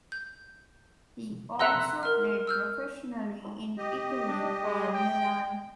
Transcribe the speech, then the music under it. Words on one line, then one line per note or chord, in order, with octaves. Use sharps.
He also played professionally in Italy for Milan.
G6
E5 F#5 A#5 C6 E6 F#6
A#4 F6
E6 F6 G6
G4 D#5
D4
G#3
G5